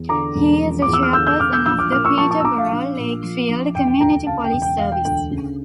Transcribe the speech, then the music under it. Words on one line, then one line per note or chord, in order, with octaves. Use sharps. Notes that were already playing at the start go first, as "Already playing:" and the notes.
He is the chairperson of the Peterborough Lakefield Community Police Service.
Already playing: E2
D3 A#5 D6
E1
F3
D6
E2
E6
F6
D3 E6 G6
E6 G6
E1 D6 F6
E6 G6
A#1 E6 G6
D6 F6
A#2 D6 F6
C#6 E6
F3 A5 C#6
A5 C#6
E6
A#1 A#5 D6
F5
A#1
A#2
F3
A#1
E1 G5
G5
D2 G5 A#5
C#3 F5 A5
G5
E1
G5
E1 F5
G5
D2 G5
C#3